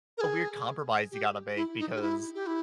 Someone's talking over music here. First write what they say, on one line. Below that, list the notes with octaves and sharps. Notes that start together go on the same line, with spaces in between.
a weird compromise you gotta make because,
A#4
G#4
G4
E4
D#4
G4
E4
G4
E4